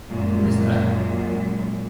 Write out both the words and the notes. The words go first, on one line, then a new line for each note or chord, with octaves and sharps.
What is that?
F#2 A#2 G#3